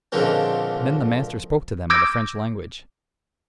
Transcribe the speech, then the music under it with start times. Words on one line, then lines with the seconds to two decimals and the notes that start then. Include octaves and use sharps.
And then the master spoke to them of the French language.
0.12 C#2 A#2 D3 F3 A#3 C4
1.90 D6 E6 G6 G#6 A#6 D7